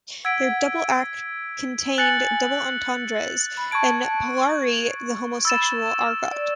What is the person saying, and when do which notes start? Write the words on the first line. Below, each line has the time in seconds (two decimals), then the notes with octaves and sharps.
Their double act contained double entendres and Polari, the homosexual argot.
0.25 F#5 E6 G#6 B6 D7
1.98 G#5 F#6 A6 C#7 F#7
3.57 B5
3.72 A5 C#6 G#6 D7
5.45 B5 E6 A6 E7
6.32 D5